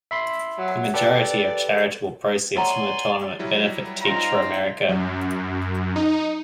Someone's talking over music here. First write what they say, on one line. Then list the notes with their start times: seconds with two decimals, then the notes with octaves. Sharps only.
The majority of the charitable proceeds from the tournament benefit Teach for America.
0.11 E5 B5 C6
0.58 F#3
0.94 G4 A4 B4 D5
2.55 C#5 D5 F#5 G#5 A#5 C6
3.39 F#3 G3 E4
4.02 C4 D#4 F4 A#5
4.89 F#2
5.96 D#4